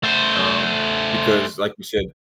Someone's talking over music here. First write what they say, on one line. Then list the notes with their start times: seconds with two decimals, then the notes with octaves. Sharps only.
um, because like you said
0.04 A3 C5